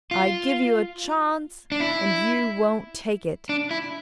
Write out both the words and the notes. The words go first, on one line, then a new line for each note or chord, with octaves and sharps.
I give you a chance, and you won't take it.
F4
D4
E4
D4
E4